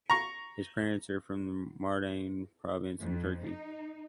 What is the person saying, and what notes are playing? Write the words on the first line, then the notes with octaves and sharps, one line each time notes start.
His parents are from the Mardin Province in Turkey.
A#5 C#6
F2
D#4